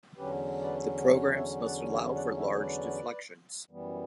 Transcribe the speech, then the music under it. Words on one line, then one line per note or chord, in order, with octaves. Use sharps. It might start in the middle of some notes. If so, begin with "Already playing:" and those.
The programs must allow for large deflections.
E2 D3 F#3 C#4 G4 B4
B4 D5
C#5 E5
C#5 E5
D5 F#5
C#5 E5
D5 F#5
C#5 E5
B4 D5
F#2 E3 G3 B3